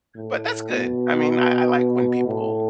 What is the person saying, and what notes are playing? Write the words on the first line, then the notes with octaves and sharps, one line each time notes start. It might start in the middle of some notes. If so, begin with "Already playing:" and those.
But that's good. I mean, I I like when people,
A2
B2
A2